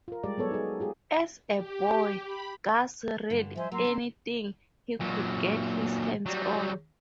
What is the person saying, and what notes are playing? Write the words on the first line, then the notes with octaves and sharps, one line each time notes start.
As a boy, Gass read anything he could get his hands on.
F4 A#4
G3 G#3 G4 D5
F#3 B3 A4 C#5
D#4 G#4
F4 G4 G#4
G4
B5
G2 D3
F3 C5 D#5 E5 G#5
F#3 A#3 A#5 C6 E6
C4 D4
A#2 F#3
F#3 G3